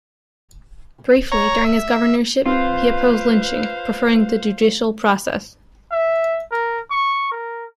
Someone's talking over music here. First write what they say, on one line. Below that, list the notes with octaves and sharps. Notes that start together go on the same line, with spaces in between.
Briefly during his governorship he opposed lynching, preferring the judicial process.
C#5 A#5
E5
C4 F4 B4 C5 F5
E5
A#4
C#6
A#4